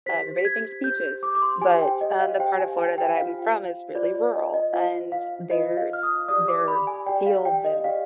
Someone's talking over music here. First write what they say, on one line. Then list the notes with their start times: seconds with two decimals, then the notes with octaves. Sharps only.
everybody thinks "beaches," but, um, the part of Florida that I'm from is really rural, and there's there fields and
0.06 G4 C5 B6
0.37 B6
0.45 G#6
0.84 G4 G6
0.87 C5
1.23 D6
1.35 D6
1.42 C6
1.62 G4 G#5
1.66 C5
1.81 G5
2.01 D#5
2.20 F5
2.40 G4 C5 G5
2.59 G#5
2.79 G#5
2.98 G5
3.17 F4 C5 F5
3.95 F4 D5
3.98 C5
4.15 D5
4.34 D#5
4.54 D#5
4.73 F4 C5 F5
5.12 F5
5.51 F4 C5 D#5
5.77 F5
5.93 F6
6.03 D#6
6.28 G4 D5 D#6
6.48 D6
6.68 B5
6.87 G#5
7.06 G4 D5 G5
7.26 F5
7.45 G5
7.65 D#5
7.84 G4 D5 F5